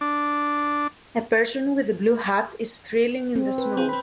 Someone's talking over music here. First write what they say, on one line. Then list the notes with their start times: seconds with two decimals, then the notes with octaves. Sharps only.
A person with a blue hat is thrilling in the snow.
0.01 D4
3.36 C4
3.58 B4
3.77 C4 G#4
3.89 C4 B5